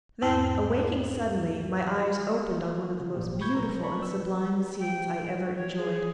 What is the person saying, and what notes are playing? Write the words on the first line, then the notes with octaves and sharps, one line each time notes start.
Then, awaking suddenly, my eyes opened on one of the most beautiful and sublime scenes I ever enjoyed.
E2 G#2 E4 G#5 A5 F6
C#3
G#1 A#2 G4
B5 C#6 G6 G#6
B1 B4 A#5
D5 A5 B5 C#6
B4 E6
G5
F#4
C#5
G#4